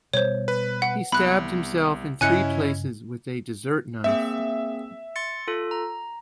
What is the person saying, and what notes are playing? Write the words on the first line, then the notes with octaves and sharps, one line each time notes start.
He stabbed himself in three places with a desert knife.
B2 G3 C5 C#5
B4
F#5
C2 B3 B5 F#6
G2 C#3 C#4 E4 D#5 G#5 F#6 C#7
A#3 C4 G#4 E5
C6 A6 C#7
F4 A4
A#5